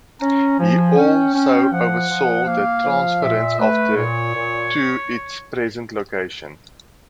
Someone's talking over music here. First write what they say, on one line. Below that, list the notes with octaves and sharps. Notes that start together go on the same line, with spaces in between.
He also oversaw the transference of the to its present location.
C#4 A#5
F3 G#5
C#4 G5
C#4
F3 F#5
F3
A#3 F5
F3
A#2 E5
A3 B4
A#2 C#5
A#2